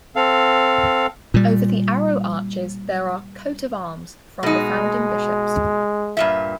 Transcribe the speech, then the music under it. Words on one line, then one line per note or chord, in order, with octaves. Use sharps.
Over the arrow arches there are "coat of arms" from the founding bishops.
C4 A4 F5
A#2 G3
B2 G#3 D#4
G2 A#2 E5